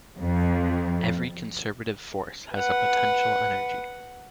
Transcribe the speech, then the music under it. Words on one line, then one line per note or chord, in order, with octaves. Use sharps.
Every conservative force has a potential energy.
F2
B4 F#5